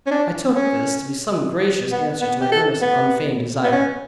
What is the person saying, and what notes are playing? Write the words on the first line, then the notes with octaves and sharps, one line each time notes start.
I took this to be some gracious answer to my earnest and unfeigned desire.
C#4
D4
C#4
B3
B3
G4
A4
B3
B3
C#4